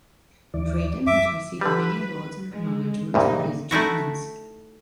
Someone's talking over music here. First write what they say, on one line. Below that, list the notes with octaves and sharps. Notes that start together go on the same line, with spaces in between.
Drayton has received many awards and acknowledgments for his achievements.
D#2 E3 D5
F#2 E5 D6
D3 G3 B4
G#3
C2 G2 A#2 C#3 A#3 D#4
A3 D#4 E4 F#4